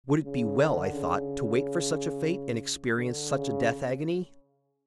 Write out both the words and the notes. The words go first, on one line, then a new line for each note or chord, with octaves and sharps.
Would it be well, I thought, to wait for such a fate, and experience such a death-agony?
C#3
D3
C#3
D3
C#3